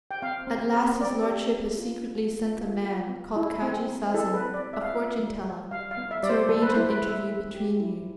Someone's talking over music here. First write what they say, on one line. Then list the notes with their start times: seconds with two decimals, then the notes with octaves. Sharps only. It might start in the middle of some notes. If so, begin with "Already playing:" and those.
At last his lordship has secretly sent a man, called Kaji Sazen, a fortune-teller, to arrange an interview between you.
0.11 G5
0.22 C4 F5
0.47 C4
0.74 C4
1.01 C4 D5
1.26 G4
1.53 C4
1.78 F4
2.04 B3
2.31 F4
2.57 F4
2.84 F4
3.09 B3
3.36 E4
3.62 C4
3.88 C4
4.14 E4 A4
4.34 B4
4.40 C4
4.54 D5
4.67 C4
4.73 E5
4.82 F5
4.90 F4 E5
5.19 G3
5.44 G3
5.71 G3 F5
5.91 F5
5.97 B3
6.11 E5
6.23 G3 D5
6.29 C5
6.49 A3 A4
6.62 B4
6.69 C5
6.76 E4
6.89 B4
7.02 A3
7.08 E5
7.27 A3
7.55 G4
7.80 E4